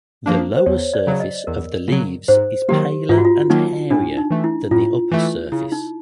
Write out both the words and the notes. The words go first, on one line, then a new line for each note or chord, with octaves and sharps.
The lower surface of the leaves is paler and hairier than the upper surface.
F3 A#3 D4
C5
E2 C#5
D5
C#3 F#3
D#5
E2 A#4
C#3 F#3
G#2 C5
D#3 F#3 A#3 G4
G#2 F4
F#4
F4
D#3 F#3 A#3 D#4
A2 D4
D#4
E3 A3
E4
A2 F4
E3 A3
C#3 E4
D#4